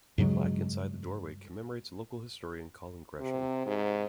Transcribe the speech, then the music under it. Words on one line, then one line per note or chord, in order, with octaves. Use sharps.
A plaque inside the doorway commemorates local historian Colin Gresham.
G2 C#3 F#3 G#3
C3
G#2